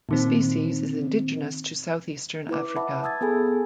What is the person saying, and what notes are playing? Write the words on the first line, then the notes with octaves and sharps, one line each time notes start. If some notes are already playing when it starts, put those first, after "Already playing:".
The species is indigenous to southeastern Africa.
A#2 D#3 C4
E4 B4 D6
E5 F#5 A5 B5
A5 D#6 E6 G#6 A6
B3 G#4 A4 G#5 B5